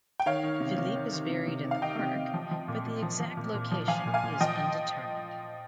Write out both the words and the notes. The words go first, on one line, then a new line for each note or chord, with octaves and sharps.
Philippe is buried in the park but the exact location is undetermined.
G5
D#3 C#5 F5
D#3
C3
C3
D#3
D#3
C3
C3
D#3
F5
D#3 D#5 G5
C3
C3
F3
F3
A#2
A#2
F3
F3
A#2
A#2
F3
F3 F5 G#5
A#2
F5 G#5
A#2
F3 D#5 G5